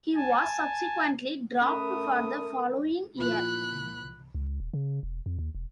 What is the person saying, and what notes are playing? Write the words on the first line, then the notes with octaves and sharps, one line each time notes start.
He was subsequently dropped for the following year.
G#5 A5
A3 C#4 A#4 B5 D#6
A#2 F3 E4 B5 F#6
C#2
D#1
C#3
E1
F2
D#2
E1